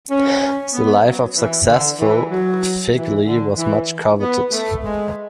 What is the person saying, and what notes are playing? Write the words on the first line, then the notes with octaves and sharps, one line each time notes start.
The life of successful "figlie" was much coveted.
C#4
B3
F#3
E3
D3
E3
F#3
E3
D3
E3
B3
A3
G#3